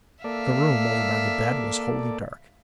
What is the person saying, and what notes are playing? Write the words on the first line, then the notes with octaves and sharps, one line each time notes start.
The room, over by the bed, was wholly dark.
A#3 A4 D5 E5 F5